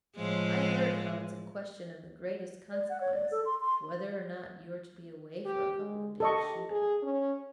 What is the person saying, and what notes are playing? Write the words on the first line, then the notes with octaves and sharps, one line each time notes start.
I heard how it's a question of the greatest consequence, whether or not you're to be away for a couple of days' shooting.
A2 F3 G#3
D5
F#5
C#5
D5
A4
C6
C6
G4
G#3
G4 A4 D#5 C#6
G#4
C#4